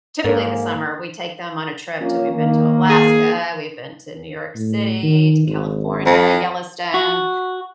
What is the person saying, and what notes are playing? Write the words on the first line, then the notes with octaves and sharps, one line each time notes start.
typically, the summer, we take them on a trip to we've been to Alaska, we've been to New York City, to California, Yellowstone,
G#2 A#3 A4 A#4 C#5
F3 A#3 C#4
D#3 A#3
G#4
A2
D#3
G#1
F2
F#4